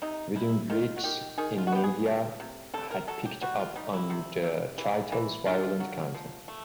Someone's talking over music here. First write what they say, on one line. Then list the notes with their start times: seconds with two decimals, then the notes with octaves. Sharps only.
Within weeks the media had picked up on the title's violent content.
0.02 C3 D#4
0.36 C3 E4
0.70 D#3 F4
0.97 F#4
1.04 D#3 G4
1.38 D#3 G#4
1.58 F4
1.67 F#4
1.72 B3 G4
1.84 G#4
2.06 F3
2.40 C3
2.74 C3 A4
2.91 A#4
3.08 F#3 A4
3.25 G4
3.42 G3 F#4
3.59 F4
3.76 G3 D#4
3.93 E4
4.10 C3
4.43 C3
4.78 E3
5.12 E3
5.46 D3 F4
5.80 F#3
6.14 F3
6.48 A3